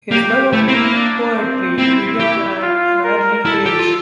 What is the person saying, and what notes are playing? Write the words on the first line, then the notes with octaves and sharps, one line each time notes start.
His love of poetry began at an early age.
A#3 G4
A3 E4
C4
A#3
D4
C4
C4 E4
G4
F4
A#4
E4 A4
G4
F4